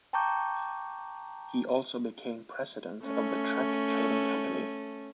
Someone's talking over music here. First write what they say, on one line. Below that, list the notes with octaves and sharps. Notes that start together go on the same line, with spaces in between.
He also became president of the Truk Trading Company.
G5 A5 A#5 C#6 D6 G6
A3 C#4